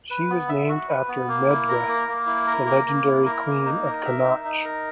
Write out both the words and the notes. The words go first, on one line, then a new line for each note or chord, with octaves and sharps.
She was named after Medb, the legendary queen of Connacht.
B4
B3
E5
F#4
B4
B3
A#3
E4
A#4
A#3
A#3
E4
A#4
A#3
A#3
E4
A#4
A#3
D#4
A#4
E5
D#4
D#4
A#4